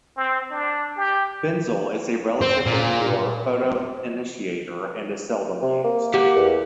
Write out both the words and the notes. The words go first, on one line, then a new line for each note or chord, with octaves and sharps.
Benzil is a relatively poor photoinitiator, and is seldom used.
C4
D4
G4
C4
A#2
C3
A#3
G4 F#5
E2